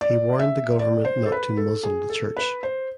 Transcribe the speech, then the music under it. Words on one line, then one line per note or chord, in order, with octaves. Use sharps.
He warned the government not to "muzzle" the Church.
D5
E5
D5
C5
A4
B4
A4
G#4
A4
B4
C5